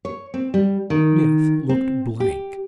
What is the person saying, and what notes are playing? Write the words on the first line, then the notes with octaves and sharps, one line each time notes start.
Smith looked blank.
C#5
C4
G3
D#3
C4
G4